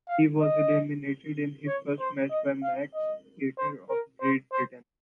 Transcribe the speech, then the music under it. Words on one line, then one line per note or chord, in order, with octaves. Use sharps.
He was eliminated in his first match by Max Cater of Great Britain.
F5
D#5
C#5
C5
D#5
F5
D#5
C5
A#4
C5
C5